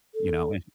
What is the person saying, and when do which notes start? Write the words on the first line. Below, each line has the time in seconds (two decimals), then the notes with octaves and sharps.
you know, an
0.15 A4